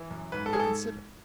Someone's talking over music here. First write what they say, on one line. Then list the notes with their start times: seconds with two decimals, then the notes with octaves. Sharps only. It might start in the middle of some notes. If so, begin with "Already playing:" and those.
But consider.
Already playing: E3
0.11 F#2
0.32 G#2 B4
0.46 A4
0.53 G#2 G#4
0.60 A4